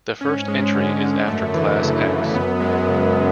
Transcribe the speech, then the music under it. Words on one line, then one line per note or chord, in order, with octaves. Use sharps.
The first entry is after class X.
G#2 C#4
G#3
D3
D3
F#2 A3
E3
C#3
C#3
F#2 B3
G#3
C#3
C#3